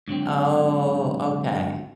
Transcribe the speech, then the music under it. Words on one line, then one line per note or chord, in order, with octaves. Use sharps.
Oh, okay.
G#2 D3 F#3 C4